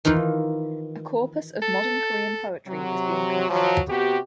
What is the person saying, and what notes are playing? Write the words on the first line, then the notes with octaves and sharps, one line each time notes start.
A corpus of modern Korean poetry is being compiled.
D#3 E3 D#4 F4
A4
C3 F#3
F3 F#3
C3 B3 F#4 G4